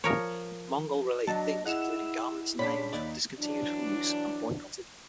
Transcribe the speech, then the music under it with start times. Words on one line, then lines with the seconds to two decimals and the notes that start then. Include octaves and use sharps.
Mongol-related things, including garments and names, were discontinued from use and boycotted.
0.04 F3 A#4 C#5
1.27 F#3 D4 D#5 A5
1.65 E4 G#4 D#5 F#5 E7 F7
2.59 A#2 C#3 D4 C#5 B5 B6
2.93 D#2 D#4 D5
3.39 E3 F#3 D4